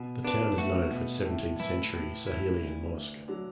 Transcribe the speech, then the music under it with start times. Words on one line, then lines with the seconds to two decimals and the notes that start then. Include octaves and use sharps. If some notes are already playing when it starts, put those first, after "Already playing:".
The town is known for its seventeenth century Sahelian mosque.
Already playing: B2
0.24 B3 D4
0.58 A3 F#4
0.92 B2
1.25 A2 A3
1.60 E3 E4
1.94 A2
2.27 E4
2.61 D2
2.94 D2
3.28 D3 F#3